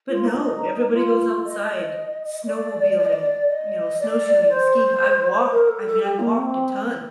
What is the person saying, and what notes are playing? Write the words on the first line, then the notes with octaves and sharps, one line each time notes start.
But no, everybody goes outside, snowmobiling, you know, snowshoeing, skiing. I walk I mean, I walked a ton.
F4
D#4
F4
D#5
D5
D5
D#5
D5
D#5
D5
C5
A#4
A4
A4
G4
A#3
C4